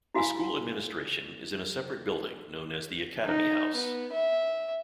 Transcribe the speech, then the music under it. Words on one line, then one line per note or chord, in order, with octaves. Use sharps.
The school administration is in a separate building known as the Academy House.
E4 F#4 F5 G#5 B5
D#4
B3
E5